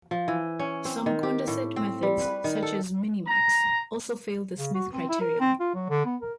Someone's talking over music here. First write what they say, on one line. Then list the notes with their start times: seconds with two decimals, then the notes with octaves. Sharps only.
Some Condorcet methods, such as Minimax, also fail the Smith criterion.
0.11 F3
0.28 E3
0.59 C#4
0.85 C4
1.06 D#3
1.23 G4
1.48 A2
1.76 C4
2.03 G3
2.20 B4
2.44 D#3
2.62 A4
3.27 A#5
4.58 C#3
4.75 F#4
4.93 C4
5.09 E4
5.21 A#4
5.40 C4
5.60 F4
5.75 F#3
5.90 D3
6.06 B3
6.22 A#4